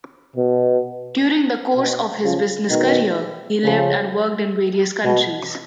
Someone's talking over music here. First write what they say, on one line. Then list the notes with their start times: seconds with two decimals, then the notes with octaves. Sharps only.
During the course of his business career he lived and worked in various countries.
0.36 B2
1.77 B2
2.23 C#3 F3
2.69 B2 D#3
3.63 C#3 F3
5.04 B2